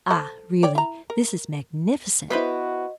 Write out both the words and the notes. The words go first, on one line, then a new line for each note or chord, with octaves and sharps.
Ah, really this is magnificent!
A4 C5 A5
C#5 D5 G5
E4 A#5
A#4
B3 E4 F#4 B4 C5 D#5 B5